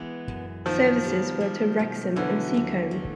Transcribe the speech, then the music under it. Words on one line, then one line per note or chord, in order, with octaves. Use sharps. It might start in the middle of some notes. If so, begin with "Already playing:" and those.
Services were to Wrexham and Seacombe.
Already playing: E3 G#3 B3
F#2
B2 D#3 F3
G3
G3
B2
D3 E3 F#3
D#2
A3